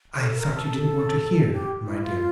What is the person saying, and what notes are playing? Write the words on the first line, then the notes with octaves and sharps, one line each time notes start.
'I thought you didn't want to hear, my dear.
A4
A#4
A4
G4
E4
F4